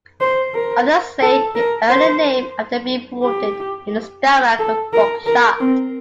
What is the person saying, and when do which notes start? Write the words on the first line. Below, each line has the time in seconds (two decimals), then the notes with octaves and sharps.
Others say he earned the name after being wounded in the stomach with buckshot.
0.20 C5
0.54 A#4
1.22 A4
1.55 A#4
1.89 C5
3.23 G4
4.59 A4
4.93 A#4
5.26 A#4
5.60 C4